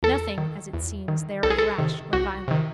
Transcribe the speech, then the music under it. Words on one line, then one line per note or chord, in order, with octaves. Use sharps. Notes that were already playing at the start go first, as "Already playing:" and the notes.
Nothing, as it seems, there of rash or violent.
E2 A4
D#3
E2
D#3
C2 A4
G#4
A4
C3 D#3
C2 F#4
C3 D#3